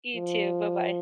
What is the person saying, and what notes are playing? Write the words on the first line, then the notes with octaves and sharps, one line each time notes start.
You too, bye-bye.
F3